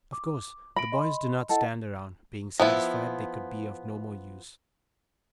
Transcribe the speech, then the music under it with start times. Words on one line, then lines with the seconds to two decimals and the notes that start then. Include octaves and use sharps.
Of course the boys did not stand around, being satisfied they could be of no more use.
0.13 D6
0.76 B5 A#6 D7
0.92 D#5 C6
1.49 E4 A4 D#5 F#5
2.60 F3 B3 E4